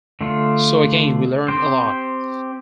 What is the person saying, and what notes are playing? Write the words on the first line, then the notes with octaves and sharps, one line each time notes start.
So again, we learned a lot.
D3 A3 F4
C4 G4 C5